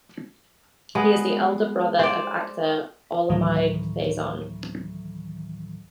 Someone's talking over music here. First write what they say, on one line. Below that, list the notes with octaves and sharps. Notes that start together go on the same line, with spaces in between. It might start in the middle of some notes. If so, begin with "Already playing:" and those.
He is the elder brother of actor Olamide Faison.
G#3 B3
C5 D5
D2 A2 D#3 E3 F#3